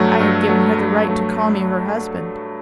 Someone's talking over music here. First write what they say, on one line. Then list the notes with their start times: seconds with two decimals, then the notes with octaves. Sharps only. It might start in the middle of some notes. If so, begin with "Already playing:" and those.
I had given her the right to call me her husband.
Already playing: G2 F#3 A3
0.20 G2
0.49 F#3 A3
0.78 G2
1.08 F#3 A3